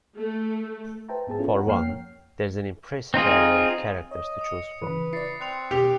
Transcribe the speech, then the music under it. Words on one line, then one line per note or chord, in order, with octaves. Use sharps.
For one, there is an impressive array of characters to choose from.
A3
B4 C5 E5 G5 A5 A#5
G#2 B3 G#4 A5
C#4 E4 F4 A4
A#4 C#5 F#5 A#5
F2 A#3 C#5 G5 F6 C7
C4 D#4 F4 G#4
C#5 D#5
D#6 C#7
C#3 E3 B4
E4 D5 A6 C7 C#7
C4 F#6 C#7 F7
B2 G4 F7